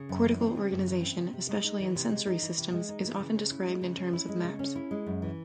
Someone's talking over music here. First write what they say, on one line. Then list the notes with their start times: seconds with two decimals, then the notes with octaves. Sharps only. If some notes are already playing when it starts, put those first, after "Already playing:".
Cortical organization, especially in sensory systems, is often described in terms of maps.
Already playing: C#3
0.09 F#2
0.25 E3
0.40 C4
0.56 C#3
0.71 F#2
0.87 E3
1.02 C4
1.18 C#3
1.33 C3
1.49 G#3
1.64 D#4
1.80 E3
1.95 C3
2.11 G#3
2.27 D#4
2.42 E3
2.58 C3
2.73 G#3
2.89 D#4
3.05 E3
3.20 C#3
3.35 C#4
3.51 E4
3.66 G#3
3.82 C#3
3.97 C#4
4.13 E4
4.28 G#3
4.44 C#3
4.59 C#4
4.76 E4
4.91 G#3
5.06 F#2
5.22 E3